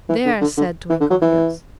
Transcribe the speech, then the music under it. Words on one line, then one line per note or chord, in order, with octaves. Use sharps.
"There!" said Twinkleheels.
E3
D3
D3
D3
E3
D3
F#3
E3